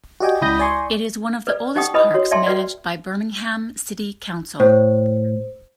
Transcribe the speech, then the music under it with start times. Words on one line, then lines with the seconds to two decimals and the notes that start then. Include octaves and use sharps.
It is one of the oldest parks managed by Birmingham City Council.
0.20 F#4 G4 D5 D#5 G5 G#5
0.41 C#2 E4 B5 D#6 G6 A#6
0.59 D5 G#5 C6 C#6
1.47 B4 D5
1.76 D#4 G4 F#5 G5 D#6
1.94 E4 B4 D#5 B5 D#6
2.14 F#4 C#5
2.31 D5 E5 G5 A5 C6
2.46 F#4 B4 D5
4.60 A2 C5